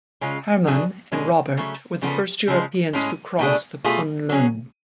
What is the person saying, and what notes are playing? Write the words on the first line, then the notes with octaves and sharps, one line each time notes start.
Hermann and Robert were the first Europeans to cross the Kunlun.
C#3 G#3 C#4 F4
A2 F#3 A3 D4 G#4
B2 G#3 C#4
C#3 F#3 A3
C#3 F3 B3 F4 A4
C#3 F3 G#3
A2 G#3 C#4 G#4
B2 A3 D4 G#4
B2 A3 F4 G#4
F#3 C#4 G#4